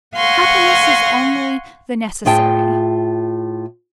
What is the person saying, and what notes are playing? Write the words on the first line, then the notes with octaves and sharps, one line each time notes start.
Happiness is only the necessary.
F5 F#5 G#5 C6 C#6 A#6
A2 F4 G#4 G5 A5